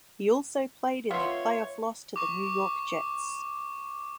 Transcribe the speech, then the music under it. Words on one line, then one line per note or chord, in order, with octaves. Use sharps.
He also played in their playoff loss to the New York Jets.
B3 F4 C#5 E5 C6
C#6 D6